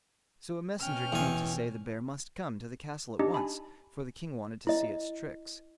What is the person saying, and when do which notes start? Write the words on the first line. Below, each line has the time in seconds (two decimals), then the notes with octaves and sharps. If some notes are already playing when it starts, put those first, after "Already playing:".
So a messenger came to say the bear must come to the castle at once, for the king wanted to see its tricks.
0.79 B2 C#4 G5 F6
1.12 E2 G#5
3.19 D4 D#4 G4 D#5
3.34 G#5 A5 B5
4.67 E4 D#5